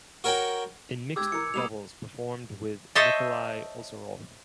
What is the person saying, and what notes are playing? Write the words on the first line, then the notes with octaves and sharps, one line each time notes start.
In mixed doubles performed with Nikolai Ozerov.
F#4 A#4 C#5 F#5 G5
G#2 G4 D6 E6 G#6
E3 A#4 C#7
G3 A#3 B5 D#6 F7
A4 C5 C#5 D#5 E5 A5